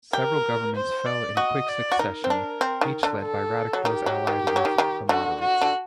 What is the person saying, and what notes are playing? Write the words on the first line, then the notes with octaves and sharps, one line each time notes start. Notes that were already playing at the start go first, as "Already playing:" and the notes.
Several governments fell in quick succession, each led by radicals allied with the "moderates".
G4 A#4
C5
D5
F#4 D#5
D5
F#4
D#4 A#4
C4
D4
C4
D#3
D3
A4
F#3
D#3 G4
F#3
D#3
D#3
F#3
D#3
D#3
D3 F#4
F#4
D3